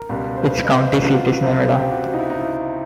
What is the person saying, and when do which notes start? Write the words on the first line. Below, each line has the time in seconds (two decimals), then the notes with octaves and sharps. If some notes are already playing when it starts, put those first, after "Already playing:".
Its county seat is Nevada.
Already playing: A#4
0.09 C#2 B2 G3
0.37 C5
0.42 B4
0.53 B4
0.65 D#5
0.75 C5
0.92 B4
1.02 F4
1.08 F#4
1.42 C#2 C3 F3
1.75 G4
1.91 F#4
2.08 F#4
2.14 D#4
2.19 E4
2.30 D#4
2.41 E4